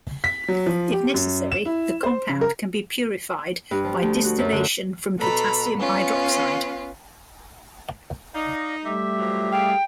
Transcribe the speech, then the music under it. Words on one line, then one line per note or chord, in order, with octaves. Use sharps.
If necessary, the compound can be purified by distillation from potassium hydroxide.
B6
F#3
F3
G4
F#2
E7
E4
C5
C#3
A#4
G2
F3
D2
F#4
F#2
D3
B2 A4 A#5 B5
B3 C#4 F4
D#4 D5 D#5 F5
G3 A3 G4 E5
A#2 F3 F#3
E4 G#4 F5 G5